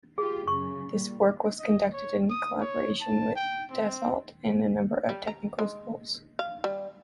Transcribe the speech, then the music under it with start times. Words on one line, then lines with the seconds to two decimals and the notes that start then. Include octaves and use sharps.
This work was conducted in collaboration with Dassault and a number of technical schools.
0.18 F4 G4 G#4
0.47 F#2 C#3 C#6
0.90 A#2 G3
1.59 D#5
1.93 C#5
2.30 D#6
2.61 C#5
3.01 A5
3.36 G5
3.71 C4
5.09 G3
5.27 A#5
5.59 G#3
6.39 F5
6.64 G3